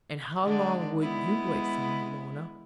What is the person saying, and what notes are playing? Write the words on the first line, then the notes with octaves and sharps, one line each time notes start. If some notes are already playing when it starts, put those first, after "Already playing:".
And how long would you wait for me, Lorna?'
D3 G#3 D4
G#3 B3 E4